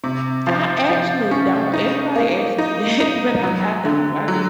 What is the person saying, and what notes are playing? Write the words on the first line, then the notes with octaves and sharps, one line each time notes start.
I actually don't. Everybody asks me that, but I I don't. I just
C3
F3
F3
C#4
D#4
A#3
D#4
D#4
F#3
D3
F#3